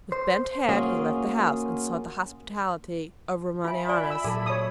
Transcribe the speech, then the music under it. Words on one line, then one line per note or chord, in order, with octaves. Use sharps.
With bent head he left the house and sought the hospitality of Romanianus.
C5
A#3 C#4 F4 F#4 G#4
F4 E5 G#5 B5
D5 G#5
E6
A#2 F#3 G#4 A4 G#5
C#5 D#6